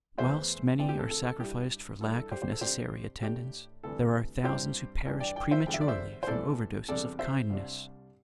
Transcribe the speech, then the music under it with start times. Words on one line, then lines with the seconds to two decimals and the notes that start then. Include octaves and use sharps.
Whilst many are sacrificed for lack of necessary attendance, there are thousands who perish prematurely from overdoses of kindness.
0.18 E2 E3 A3 C5 E5
0.79 D2 C3 E3 C4 D5 G5
0.89 G4
0.99 A4
1.10 A4
1.25 A4
1.40 G2 G3 E4 G4
2.01 G2 G3 E4 A4
2.16 A4
2.31 G4 C5
2.42 G4 C5
2.52 A4
2.61 C3 G3 D4 G4 C5
3.22 A2 A3 D4 G4
3.83 D2 C3 E3 G3 E4 A4
4.44 G2 G3 C4 E4 G4 C5
5.05 G2 E3 G3 D4
5.20 D5 G5
5.36 D5 G5
5.51 C5 E5
5.67 E2 D3 G3 G5
5.74 E5
5.81 D5
5.88 C5 E5
6.23 C5
6.27 A2 E3 G3 C4 E4 A4 D5
6.88 E2 C3 G3 D4 A4 D5
7.19 C5 E5
7.50 C2 C3 G3 D4